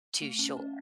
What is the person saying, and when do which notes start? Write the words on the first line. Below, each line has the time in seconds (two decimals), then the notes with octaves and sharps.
too sure,
0.22 A3
0.39 C#4
0.57 C#4